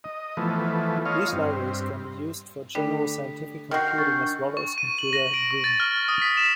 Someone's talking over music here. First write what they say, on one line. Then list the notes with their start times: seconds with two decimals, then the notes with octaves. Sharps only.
These libraries can be used for general scientific computing as well as computer vision.
0.04 D#5
0.37 E3 F3 A3 B3
1.06 F4 C#5 D#5 F5
1.33 G2 C4
2.75 D3 G3 A3 D4 A4 B6
3.71 D#3 F#4 F6 G6 C7
3.98 D4 C#6 G6 A6
4.57 C#6
4.78 D#7
4.99 F#7
5.13 A#6
5.34 D7
5.51 C#6
5.64 A6
5.80 F6
6.08 D#6
6.22 B6
6.37 E7